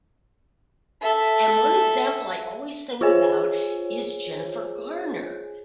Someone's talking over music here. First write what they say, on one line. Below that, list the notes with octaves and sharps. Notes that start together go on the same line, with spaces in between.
And one example I always think about is Jennifer Garner.
A4 E5
F4 G#4 C5 C#5 G#5